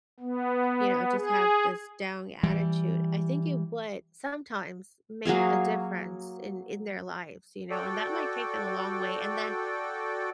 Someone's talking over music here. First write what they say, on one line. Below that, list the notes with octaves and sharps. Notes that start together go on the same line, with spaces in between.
you know, just have this down attitude, I think it would- sometimes- make a difference in in their lives, you know, and that might take them a long way, and then
B3
G#4
E3 G3
F#3 A#3 G#4 F5
F#4 A4 D5 G5